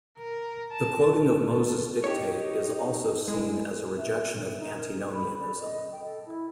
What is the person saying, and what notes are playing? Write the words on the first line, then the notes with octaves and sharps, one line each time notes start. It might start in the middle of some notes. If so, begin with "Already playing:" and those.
The quoting of Moses' dictate is also seen as a rejection of Antinomianism.
A#4
A5
A4
D#4 G4 C#5
G#3 E4
E5
D#4
A#4
G4
B5
D5
D#5
G5
A4
E4